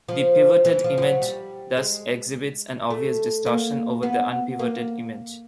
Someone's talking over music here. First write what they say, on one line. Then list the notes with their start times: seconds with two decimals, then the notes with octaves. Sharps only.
The pivoted image thus exhibits an obvious distortion over the unpivoted image.
0.09 F3
0.65 E3
0.84 F3
0.98 F3
1.02 F#3
1.22 G3
1.77 G#3
2.90 A3
3.46 A#3
4.03 B3
4.59 A#3